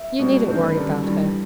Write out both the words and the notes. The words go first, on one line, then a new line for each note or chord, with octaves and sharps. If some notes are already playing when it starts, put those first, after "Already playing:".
You needn't worry about her.'
Already playing: E5
B2 G3 C4
G2 D#3 A3 C4 C5
B4
F#2 D#3 G3 A4
G2 E3 G3